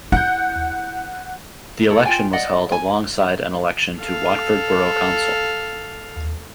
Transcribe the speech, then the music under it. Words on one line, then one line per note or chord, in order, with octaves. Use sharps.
The election was held alongside an election to Watford Borough Council.
E4 F#5 G6
E4 A4
F4 G5 G#5
D5 D#5 F#5
G#5
A4 F5